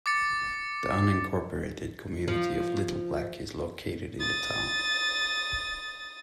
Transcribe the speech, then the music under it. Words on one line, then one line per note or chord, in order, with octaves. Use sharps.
The unincorporated community of Little Black is located in the town.
D6 A6 C#7
F3
D#6 A6